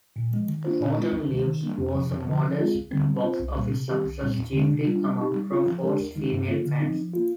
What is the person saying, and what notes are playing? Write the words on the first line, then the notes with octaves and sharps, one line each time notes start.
"Autumn Leaves" was a modest box-office success, chiefly among Crawford's female fans.
A#2
F3 G#3
D#3
A#3 D4 F4 C5
A#2
G#3 C4 F4
D2
C3 D#3 G#3
D#3
G3 A#3 D4
F2
C3 F3
F2
D3 F3
F3
G#3 C4 F4 G#4
D2
D3 G3 C4
G3
C4 F4 C5
C2
A#2 G3 A#3
C3
D#3 G3 C4 G4
C2
A#2 G3 C4
D#2
D3 G#3 D4
C3
G3 D4 F4
G3
C4 D#4 G4
G3
C4 F4
F3
G#3 D4 G4 A#4
D#2
D#3 G#3 D#4
G2
F3 A#3 F4
D3
F3 C4 D#4
F3
A#3 F4